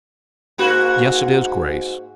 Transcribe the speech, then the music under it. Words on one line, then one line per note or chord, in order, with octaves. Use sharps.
Yes, it is, Grace.
G#2 A#3 F#4